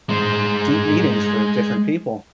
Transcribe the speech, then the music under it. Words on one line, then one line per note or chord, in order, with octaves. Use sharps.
deep meanings for different people,
G#3 C5